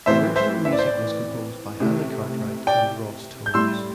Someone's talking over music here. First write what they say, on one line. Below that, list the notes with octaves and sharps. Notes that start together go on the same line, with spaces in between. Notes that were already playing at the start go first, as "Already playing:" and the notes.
Original music was composed by Hannah Cartwright and Ross Tones.
A2 E3 C4 C5 E5
C5 E5
E5
D5
C5
D5
C3 A3 E4
D5 G5
G6
A2 G3 E4 C6 E6